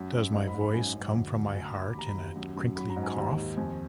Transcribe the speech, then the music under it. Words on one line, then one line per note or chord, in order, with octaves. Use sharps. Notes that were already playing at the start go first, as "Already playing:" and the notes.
Does my voice come from my heart in a crinkly cough?
Already playing: F#2
F#2
G#2 D#5
B5
G#2
B5
F#2 G#5
F#2
D2
D2
D2 G#5
A#5
D2 B5
D6
B5
D#2 A#5
B5
D#2
F#2
F#2
F#3 B5
A#5
G#2
G#5
D#2 A#5
D#2
F2 G#5